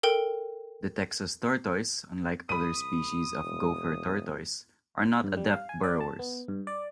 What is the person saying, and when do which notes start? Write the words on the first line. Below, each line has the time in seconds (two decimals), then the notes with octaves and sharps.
The Texas tortoise, unlike other species of gopher tortoise, are not adept burrowers.
0.03 A4 A#4 G5
2.49 C2 B5 D#6 D#7
3.41 E1
5.24 G2
5.37 G3
5.51 F5
5.69 G#5
5.84 D5
6.00 A5
6.19 B3
6.48 G2
6.67 D5